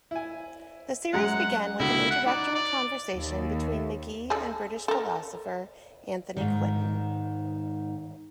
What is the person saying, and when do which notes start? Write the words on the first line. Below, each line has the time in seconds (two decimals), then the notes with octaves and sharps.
The series began with an introductory conversation between Magee and British philosopher Anthony Quinton.
0.11 E4 G#5
1.13 F#2 G#3 F#5 A#5
1.79 C#2 B2 D3 E4
2.11 F#5
2.27 D#4 D5
2.55 D5
3.17 D#2
4.30 G#4 A4
4.88 A4 A#4
6.37 G#2 D#3